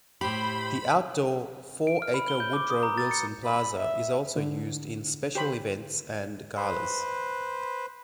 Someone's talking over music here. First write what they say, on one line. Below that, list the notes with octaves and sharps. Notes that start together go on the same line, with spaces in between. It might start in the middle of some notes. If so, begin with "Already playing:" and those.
The outdoor, four-acre Woodrow Wilson Plaza is also used in special events and galas.
A2 G4 C5 B5
D7
F6
B5
G7
G6
D6
D#6
A#5
A6
C#7
B5
E5
D3
G4 C5 B5
B4 C5